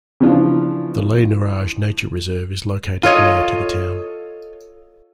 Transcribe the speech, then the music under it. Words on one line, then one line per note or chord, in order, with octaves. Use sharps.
The Les Nourages Nature Reserve is located near to the town.
C#3 E3 F3 D4 F4
F4 A4 C#5 D#5